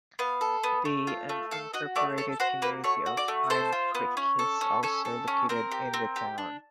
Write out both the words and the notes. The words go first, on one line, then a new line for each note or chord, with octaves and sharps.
The unincorporated community of Pine Creek is also located in the town.
B3 F5
A4
B3
A3
F4
A3
A4 F5
F#4 D#5
A3 D5
A4 C#5
F#4 C5
A#3 B4
A3 C#5
F#4
D5
A3
A4 C5
F4
B3
C#4
A4
C#4
C#4 A4
A4
C#4
C4 A#4
G4
C4
G4
D4